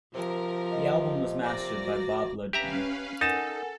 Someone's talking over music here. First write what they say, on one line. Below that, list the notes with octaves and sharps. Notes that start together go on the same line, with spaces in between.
The album was mastered by Bob Ludwig.
C3 F3 A#4
D#5
A#3 D5 A#6
F#4
C#4 G4 B4 E5 F5 A#5
D#4 A4 A#4 F#5 G#5 A6 E7